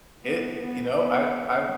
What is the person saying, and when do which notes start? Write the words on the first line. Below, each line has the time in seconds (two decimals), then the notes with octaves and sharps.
it you know, I I,
0.23 B3
0.59 B3
0.94 B3